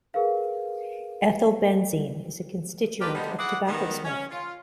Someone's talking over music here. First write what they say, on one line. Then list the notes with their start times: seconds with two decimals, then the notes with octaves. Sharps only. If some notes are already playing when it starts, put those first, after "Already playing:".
Ethylbenzene is a constituent of tobacco smoke.
0.14 G#4 A#4 B4 F5
3.00 D4 F4 G4 A#4 B4 D5
3.15 D3 G3 G#3 B3 D#4
3.38 E4 F#4 G#4 D5 F#5
3.67 D#3 B3
4.05 C#4
4.31 F4